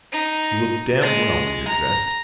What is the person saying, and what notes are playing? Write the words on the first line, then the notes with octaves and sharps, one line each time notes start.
You look damn well when you're dressed.
D#4
G#3
A#5